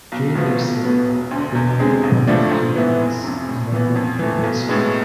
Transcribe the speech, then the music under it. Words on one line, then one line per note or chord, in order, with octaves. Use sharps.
During their stay they mounted public duties in London and Windsor.
B1
A2 F3 B3
B1
B2 B3
E1
D2 D3
E2
D3 G#3 C4 G#4
A1
A2 F3 A3 D4
G#2
E3 B3 E4
F1
F2 C3
A2
E3 B3
F2
E3 A3
B1
A2 G#3 B3